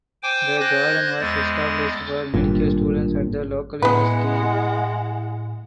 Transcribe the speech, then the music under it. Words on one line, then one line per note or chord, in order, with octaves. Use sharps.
The garden was established for medical students at the local university.
C5 G5 G#5 D6
C5 F#6 G#6 A#6
E2 G#3 A6
G#1 G2 A#2
A2 G#3 B3 E4 B4 F#5